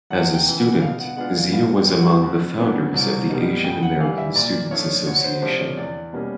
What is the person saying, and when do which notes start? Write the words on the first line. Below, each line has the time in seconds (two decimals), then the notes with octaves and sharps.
As a student, Zia was among the founders of the Asian American Students Association.
0.10 E2 F#5
0.34 G5
0.46 C#3 E3
0.58 F#5
0.81 B2 F5
0.99 F#5
1.16 G#3 B3 D4 F4 F#5
1.35 F5
1.52 B2 F5
1.76 G5
1.88 G3 C4
2.00 F#5
2.23 F2
2.58 C#3 F#3 B3
2.94 C2
3.30 B2 G3 A#3 D#4
3.64 C#3 G5
3.82 F#5
4.00 E3 G3 F5
4.18 E5
4.35 A#2 D5
4.71 F3 A3 D4 F4 C#5
5.07 D2 C#5
5.24 C5
5.42 C3 F3 A3 D4 C5
5.60 C#5
5.77 E2 D5
6.13 B2 G3 A#3 C#4